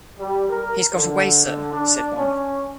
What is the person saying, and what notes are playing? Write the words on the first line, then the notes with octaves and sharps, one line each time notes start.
"He's got away, sir," said one.
G3
A#4
D3
D4
C#4